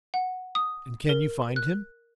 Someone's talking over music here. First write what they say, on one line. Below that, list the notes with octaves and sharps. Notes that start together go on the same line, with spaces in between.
"And can you find him?"
F#5
D#6
A#4
F#6